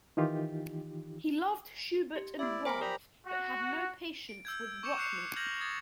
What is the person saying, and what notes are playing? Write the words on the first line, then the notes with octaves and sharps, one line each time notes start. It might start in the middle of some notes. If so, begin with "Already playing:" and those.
He loved Schubert and Brahms, but had no patience with Bruckner.
D#3 E3 D#4 F4 G4
G4
B3 E4 D5 E5
A#4 C5 G5 G#5 B5 D6
G4 A#4 D5 A#5 B5
F#4
D7
E6 G6 G#6
C#6 D6 G6 C#7 E7
F#6 G6 C7 C#7 F7
F6 G6 G#6 A#6 F7 F#7
D#6 G#6 A6